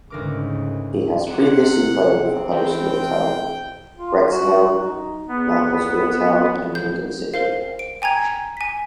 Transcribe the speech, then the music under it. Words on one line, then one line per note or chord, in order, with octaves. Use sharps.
He has previously played for Huddersfield Town, Wrexham, Macclesfield Town, and Lincoln City.
D2 G#2 C#3 A#4 D6
C3 F#5
C4
E2 G5
F4
F#4
D#4
E2 B3
G6
A#4 C5 F5
D7
G5 G#5 A#5 G#6
G#5 B6